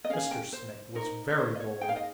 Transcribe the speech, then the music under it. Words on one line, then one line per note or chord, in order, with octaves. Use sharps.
Mr. Snake was very bold.
D#5
C#4 G#4 F5
G5
C5
D#4 A#4
C#5
C5
D#5
C#5
D#4 G#4 G5
F5
D#5